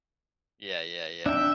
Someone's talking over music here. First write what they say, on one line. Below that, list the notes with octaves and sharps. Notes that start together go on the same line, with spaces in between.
Yeah, yeah, yeah.
D4 E5 G5